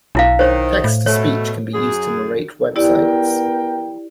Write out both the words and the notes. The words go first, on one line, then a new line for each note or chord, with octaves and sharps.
Text to speech can be used to narrate websites.
B1 D4 E4 F5
D#3 D#4 C5 C#5
A2
B2 A3 C#5
F#2 G#4
B3 E4 G4 A#4 D5 G5